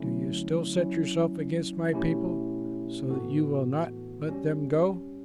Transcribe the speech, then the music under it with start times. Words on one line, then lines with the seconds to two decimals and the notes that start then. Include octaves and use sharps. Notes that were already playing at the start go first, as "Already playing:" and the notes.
Do you still set yourself against my people, so that you will not let them go?
Already playing: D3 F#3 A3 C#4 E4
0.76 F#3 C#4 E4
1.93 B2 A3 C#4 E4 G4
3.10 A2 E3 B3 F#4 A4
4.28 G3 C#4 G4